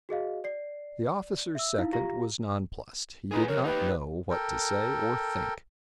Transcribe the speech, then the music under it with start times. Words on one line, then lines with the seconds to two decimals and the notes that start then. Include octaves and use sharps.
The officer's second was nonplussed; he did not know what to say or think.
0.09 F#4 G#4 D#5 F5
0.44 D5 C7
1.55 E5 E6
1.78 D#4 E4 F5
1.93 F4 G4 F5 A#5 A#6
3.31 D#4 G#4 B4
3.48 F2 A#4 C#5
3.64 D#4 G4 B4
4.30 A4 A#4 G5